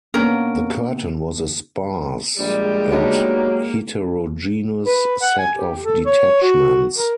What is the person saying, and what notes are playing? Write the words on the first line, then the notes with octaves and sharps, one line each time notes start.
The curtain was a sparse and heterogeneous set of detachments.
A#3 B3 C#4 D4 A#4
A#1 G3 G#3 G4
F#3 A#3 B3 D4 D#4
B4
F#5
G#5
G4
A4
C#5
F#4
A#4